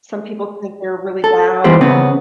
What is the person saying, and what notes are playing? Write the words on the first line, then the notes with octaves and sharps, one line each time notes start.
some people think they're really loud and
A4
E3 G3 B3 G4 C5
C#3 B3 C4